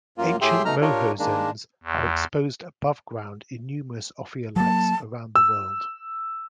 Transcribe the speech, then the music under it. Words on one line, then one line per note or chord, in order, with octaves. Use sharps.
Ancient Moho zones are exposed above-ground in numerous ophiolites around the world.
F#2 A#3 F4
A2 G4 G#4 E5 G5 C6
B2 A3 D#4 A#5 F6
D4 F4 G4 A#4 C#5
D#3 G#3 A#3 D4
E2
F#3 A#3 A5
E6